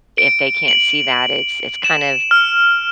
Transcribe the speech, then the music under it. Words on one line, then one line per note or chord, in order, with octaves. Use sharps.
if they can't see that, it's it's kind of
D7
F#7
E7
F6